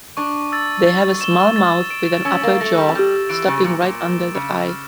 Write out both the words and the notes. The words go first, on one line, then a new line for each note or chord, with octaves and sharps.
They have a small mouth with an upper jaw stopping right under the eye.
D4 C#6
E6 A6
A6
E7 G7
A6
D7 G7
C#4 E6
A#3
A3 A#6 D7
G3
G3 G6
E3 D7 G7
C#3
A#2 A6
A#2
E7 G7
C#3 D6
F6